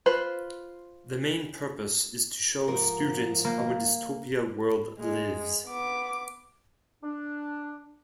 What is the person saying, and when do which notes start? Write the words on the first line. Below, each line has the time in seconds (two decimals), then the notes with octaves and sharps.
The main purpose is to show students how a dystopia world lives.
0.06 F4 B4 C5
2.68 G#2 F3 A#4
3.45 A#3
5.00 G#3
5.67 B3 D6
7.02 D4